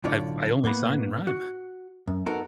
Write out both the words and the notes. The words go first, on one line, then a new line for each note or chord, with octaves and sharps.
I've I only sign and rhyme.
B1 A2 D3 F4 C#5 D5
A2 A#3 B3 B5
F#4
F#2
B3 D#4 F#4 A4 A#4